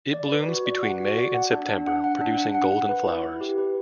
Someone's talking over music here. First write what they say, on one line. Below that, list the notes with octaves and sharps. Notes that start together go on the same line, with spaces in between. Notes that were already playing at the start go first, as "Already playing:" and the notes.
It blooms between May and September producing golden flowers.
D5
B4
F#4
D5
F#5
F#4
D5
F#5
D4
D4
F#5
F#5
D4
F#5
F#5
F#5
B4
E4
E4
G4
B4